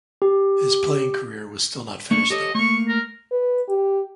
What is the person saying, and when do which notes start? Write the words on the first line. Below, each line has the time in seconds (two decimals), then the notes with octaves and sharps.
His playing career was still not finished though.
0.22 G4
2.11 A3 A#3 D4 C#6
2.30 G4 A4 C#5 D#5
2.55 A3 A#3 C#6
2.88 A#4
3.32 B4
3.69 G4